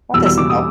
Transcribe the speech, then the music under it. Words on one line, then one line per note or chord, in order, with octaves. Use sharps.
That doesn't help.
E2 B2 G3 E6
E6
D6
D#6